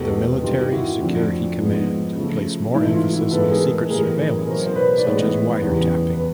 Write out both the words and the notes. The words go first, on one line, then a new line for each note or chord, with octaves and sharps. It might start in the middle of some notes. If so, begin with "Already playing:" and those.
The Military Security Command place more emphasis on secret surveillance such as wiretapping.
Already playing: E2 B2 G#3 B3 G4 A4
G2 D#3 G3 F4 G4
E4 F#4
F2 D3 F3 A3
G#2 F3 G#3 B3
C#3 F3 A3
G#2 E3 A3 E4
F4
E4 F#4
G#2 E3 G#3 B3 A4 B4
G#4 A#4
A2 E3 G3 B3 G#4 A#4
B2 F#3 B3 A#4 C5
C5
B4 C#5
D5
A2 E3 G#3 B3 B4 C#5
E2 C#3 E3 G3 B3
B4